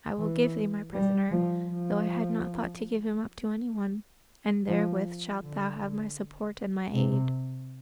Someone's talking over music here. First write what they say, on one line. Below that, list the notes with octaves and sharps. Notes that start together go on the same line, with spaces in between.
"I will give thee my prisoner, though I had not thought to give him up to any one; and therewith shalt thou have my support and my aid."
E3
G3
F3
F3
F3
D3
C3